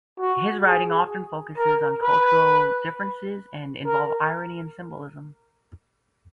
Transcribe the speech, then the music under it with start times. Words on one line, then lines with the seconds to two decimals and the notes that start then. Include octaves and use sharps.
His writing often focuses on cultural differences and involve irony and symbolism.
0.19 F#4
0.66 G#4
1.58 A#4
2.03 B4
3.86 A#4